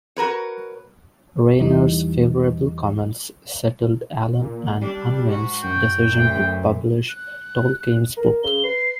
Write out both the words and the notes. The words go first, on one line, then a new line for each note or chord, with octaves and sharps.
Rayner's favourable comments settled Allen and Unwin's decision to publish Tolkien's book.
F#4 A#4 B4 C#5
E2 E3 G3 D#4
A#2
G3 D4
G#2 F#4
F#2 G5
D2
F#6
A#4
C#3 G7
B4 C7